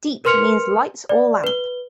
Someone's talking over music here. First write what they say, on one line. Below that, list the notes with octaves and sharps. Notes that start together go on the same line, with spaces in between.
"Deep", means "light" or "lamp".
A#4 B4 C6 F6 C#7 F7
D5
B4 G7